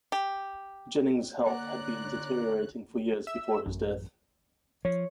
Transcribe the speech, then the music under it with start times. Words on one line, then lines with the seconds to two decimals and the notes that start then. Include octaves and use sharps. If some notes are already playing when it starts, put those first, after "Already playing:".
Jennings's health had been deteriorating for years before his death.
0.12 G4
1.46 D3 A#3 C#5 D5 F#5 A#5 F#6
3.27 E5 E6
3.66 A1 F#2
4.85 F3 C#5